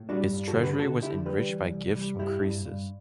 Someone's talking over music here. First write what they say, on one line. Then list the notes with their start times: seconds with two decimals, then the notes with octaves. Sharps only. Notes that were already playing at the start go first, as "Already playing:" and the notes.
Its treasury was enriched by gifts from Croesus.
Already playing: A2
0.09 G3 D4 F#4
0.32 G2
0.48 F#4 A4
0.56 D3
0.63 G4 B4
0.79 D3 F#4 A4
1.02 D3 E4 G4
1.25 G3 G4 B4
1.49 E3
1.72 C2
1.95 G3
2.19 G2 E4 G4
2.42 G2
2.65 G2